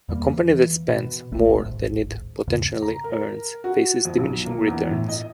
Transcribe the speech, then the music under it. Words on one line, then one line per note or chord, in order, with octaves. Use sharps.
A company that spends more than it potentially earns faces diminishing returns.
E2 G3 A3 A#3
E3
B2
D1 A#1 B2 A3
D1 G#1 G#2
E2 G#2 C#3
A#5
A#4
F#4
F2
B1
A#3
E2
A2
D#5